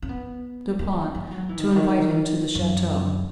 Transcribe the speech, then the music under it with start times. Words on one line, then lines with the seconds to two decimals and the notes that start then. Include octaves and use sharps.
Du Pont to invite him to the chateau.
0.02 C#4
0.09 B3
0.79 A#3
1.15 G#3
1.31 F#3
1.49 E3
1.58 D#3
1.67 C#3
1.76 D#3
2.55 F#2